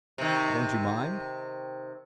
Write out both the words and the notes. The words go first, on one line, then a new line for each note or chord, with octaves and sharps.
"Don't you mind?"
C3 D#3